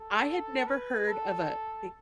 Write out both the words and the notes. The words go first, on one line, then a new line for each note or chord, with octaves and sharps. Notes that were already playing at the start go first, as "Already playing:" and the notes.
I had never heard of a big
Already playing: A4
B4
A4